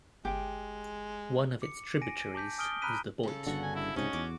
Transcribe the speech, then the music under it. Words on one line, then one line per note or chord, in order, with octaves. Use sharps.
One of its tributaries is the Boite.
G1 G#3 G4 G5
D6 C#7
G#5 A#6 D7 D#7
A5 D6 G6 B6
G#5 D#6 F6 D7 G7
A#5 B5 F6 F#6 B6 D#7
C#3 A4
G1 G2 D3 F#4 F#5 C#6
G#5
E4
C#2 G#2 C3 C#4 D#4 F#4
E2 D6